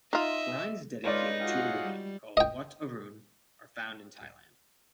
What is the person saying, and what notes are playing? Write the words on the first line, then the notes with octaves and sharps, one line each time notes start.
Shrines dedicated to Aruna, called "Wat Arun", are found in Thailand.
D#4 F4 D#5 E5
G#3 D#4 F4 A4 B4 C#5 D5
F4 F#4 G#4 F5 F#5
G3
D#5 G5